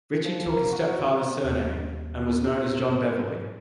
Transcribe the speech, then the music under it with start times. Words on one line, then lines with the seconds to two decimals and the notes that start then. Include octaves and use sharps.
Ritchie took his stepfather's surname and was known as John Beverley.
0.25 F3
0.48 A#4
0.72 F#4
1.44 D#2
2.87 G#2